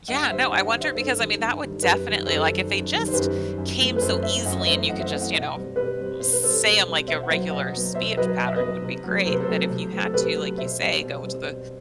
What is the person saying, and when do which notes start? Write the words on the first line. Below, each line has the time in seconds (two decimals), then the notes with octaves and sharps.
Yeah, no, I wonder because, I mean, that would definitely like, if they just came so easily, and you could just, you know, uh, say 'em like your regular speech pattern, would be great, but if you had to, like you say, go to the
0.08 G2 D#5 F#5
0.30 D#3 G3 C5 E5
0.52 G2 D#5 F#5
0.67 D#5 F#5
0.73 D#3 G3
0.80 C5 E5
0.95 G2 A4 C5
1.17 D#3 G3
1.40 G2
1.61 D#3 G3
1.83 F#2 G4 B4
2.05 D#3 G3
2.26 F#2 A4 C5
2.48 D#3 G3
2.70 F#2
2.93 D#3 G3
3.08 C5
3.14 F#2 G4 B4
3.36 D#3 G3
3.58 F#2
3.79 E3 A3 C4
3.96 B4
4.02 F#2 A4 C5
4.23 E3 A3 C4 C5 E5
4.45 F#2 D#5 F#5
4.60 D#5
4.67 E3 A3 C4 C5 E5
4.89 F#2 D#5 F#5
5.00 C5 E5
5.10 E3 A3 C4 D#5 F#5
5.22 D#5 F#5
5.32 B2 D#5 F#5
5.54 G3 C4
5.76 B2 G4 B4
5.98 G3 C4
6.20 B2 C5
6.33 B4
6.41 G3 C4 A4 C5
6.63 B2
6.86 G3 C4
7.08 B2 C5 E5
7.23 F#5
7.29 F#3 B3 C5 E5
7.51 B2 D#5 F#5
7.73 F#3 B3
7.94 B2 C5 E5
8.09 E5
8.17 F#3 B3 B4 D#5
8.38 B2 D#5
8.48 E5
8.56 F#3 B3 B4 D#5
8.82 C3
9.04 F#3 A3 C4
9.25 C3 C5
9.33 B4
9.40 A4 C5
9.48 F#3 A3 C4
9.70 C3
9.92 F#3 A3 C4
10.05 A4
10.14 C3 G4 B4
10.36 F#3 A3 C4
10.58 B2 C5 E5
10.80 G3 C4
11.01 B2
11.23 G3 C4
11.44 B2